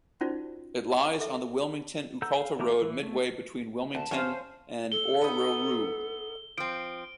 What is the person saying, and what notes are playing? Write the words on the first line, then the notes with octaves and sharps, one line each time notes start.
It lies on the Wilmington–Ucolta Road midway between Wilmington and Orroroo.
C#4 D#4 F4 F#4 C5 D5
A4 E5
A4 F#5 A#5 E6 G6
F5
E3 A3 A#4 D6
E3
A3
D2 A5
E2 C#4 C5 C#5 F5
A4 G7
B3 D#4
F3 C4 D7